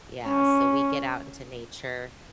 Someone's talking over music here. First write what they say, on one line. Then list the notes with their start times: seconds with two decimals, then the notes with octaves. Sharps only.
yeah, so we get out into nature.
0.27 C#4